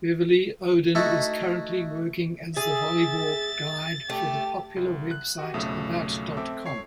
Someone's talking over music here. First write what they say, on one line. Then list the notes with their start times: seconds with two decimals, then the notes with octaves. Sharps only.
Beverly Oden is currently working as the Volleyball Guide for the popular website About.com.
0.95 A3 D#4 E4 F#4 A4
2.57 G#4 E5 A6
4.10 A3 G4
4.76 C2
5.11 F#6
5.39 F#4 G4
5.54 B1 F2 C#3 A3 E5 D#6
6.37 C4 A4 E5 D6
6.66 C#5 C7